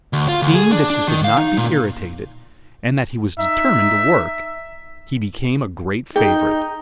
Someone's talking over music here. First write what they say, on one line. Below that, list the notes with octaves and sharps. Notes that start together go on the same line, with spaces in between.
Seeing that he could not be irritated, and that he was determined to work, he became a great favorite.
D2
F4
D2
G#4
D4
D4
D#3
F5
D#4
A#2
D#4 E5
D#4 G#4 G5